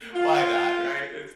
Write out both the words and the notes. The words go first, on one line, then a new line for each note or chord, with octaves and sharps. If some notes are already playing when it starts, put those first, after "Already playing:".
why not, right? It's
F4